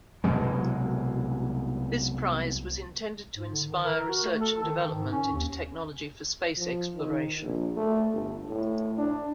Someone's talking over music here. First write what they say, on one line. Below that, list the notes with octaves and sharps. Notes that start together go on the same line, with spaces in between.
This prize was intended to inspire research and development into technology for space exploration.
C2 B2 F#3 G#3
G#2
D3
D#3
A#4
F#4
A3
A4
D#3
D#3
G#2
C#4
D#2
F3
D#3
A#1
A3
G1
A2
D4